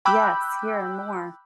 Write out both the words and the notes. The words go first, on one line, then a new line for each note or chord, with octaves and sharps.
Yes, here are more!
G5 B5 D6 E6 F#6 G6